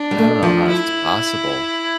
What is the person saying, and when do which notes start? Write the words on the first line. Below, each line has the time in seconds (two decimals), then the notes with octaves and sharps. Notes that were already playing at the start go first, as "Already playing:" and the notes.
I don't know how it's possible.
Already playing: D4
0.11 G3
0.18 A3
0.43 F3
0.67 E4